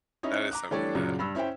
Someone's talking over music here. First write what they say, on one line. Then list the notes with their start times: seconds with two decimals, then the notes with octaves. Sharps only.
that is something that
0.23 C#4 D#4 E4
0.51 A#5 D6 F#6
0.71 E3 G3 A3 D4 C#5 D5
0.95 F#2 A#2 C#3 F#3
1.19 G2 B5 E6
1.35 C#4 E4 C5 E5 G5